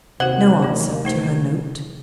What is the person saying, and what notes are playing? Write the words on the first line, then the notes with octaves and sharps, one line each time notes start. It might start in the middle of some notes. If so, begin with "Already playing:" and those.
No answer to her note?
D#2 C3 F#4 C5 F#5
E3 A3
A3 D#4 C5